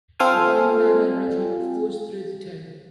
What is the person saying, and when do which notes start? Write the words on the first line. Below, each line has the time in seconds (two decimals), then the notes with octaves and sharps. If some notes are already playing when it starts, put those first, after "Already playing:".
The Bang Nara River flows through the town.
0.19 C4 F4 A4 F5 G5 G#5